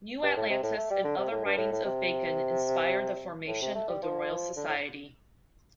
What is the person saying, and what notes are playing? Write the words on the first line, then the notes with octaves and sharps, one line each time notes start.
"New Atlantis" and other writings of Bacon inspired the formation of the Royal Society.
G2
A2
C3
A2
A3
G3
D3
C3
A2
G2
A2
A2
C3
A2
C3
A3
G3
F3
D3
A2